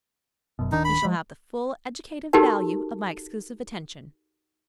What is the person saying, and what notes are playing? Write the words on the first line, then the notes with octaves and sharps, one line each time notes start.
He shall have the full educative value of my exclusive attention.
F#1 F#2 B2
D1 D#3 D4 D#4
B5
F3 G#3
D#4 F#4 G4 A4 A#4 A5